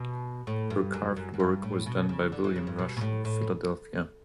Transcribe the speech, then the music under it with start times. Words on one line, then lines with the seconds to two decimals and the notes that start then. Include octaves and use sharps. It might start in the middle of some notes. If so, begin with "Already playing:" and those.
Her carved work was done by William Rush of Philadelphia.
Already playing: B2
0.47 A2
0.70 G2
0.94 F#2
1.17 F#2
1.34 F#2
1.40 G2
1.63 A2
1.86 B2
2.09 C#3
2.32 D3
2.44 E3
2.56 C#3
2.67 G2
2.79 B2
2.97 B2
3.01 A2
3.25 A2